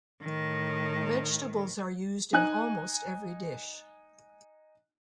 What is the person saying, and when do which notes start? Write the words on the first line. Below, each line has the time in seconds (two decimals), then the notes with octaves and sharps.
Vegetables are used in almost every dish.
0.23 A2 D#3
2.33 D#4 G#5 F#6